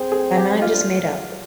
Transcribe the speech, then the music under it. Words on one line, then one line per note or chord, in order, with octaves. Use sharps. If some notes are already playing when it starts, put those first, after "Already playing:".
My mind is made up.
Already playing: C4 G#4
G#4
G4
D#4 F4
D4